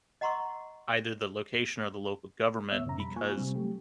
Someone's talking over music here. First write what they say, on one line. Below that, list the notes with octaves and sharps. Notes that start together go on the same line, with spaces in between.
either the location or the local government, because,
D#5 F#5 A#5 C6 C#6 E6
D#2 A2 B3 C#5 E5 E6
F#2 C#3 C#4 A#5
F2 B2 G3 B5
A#3 F4 G#5 C#6
C3 G3 C4
F#3 A3 G4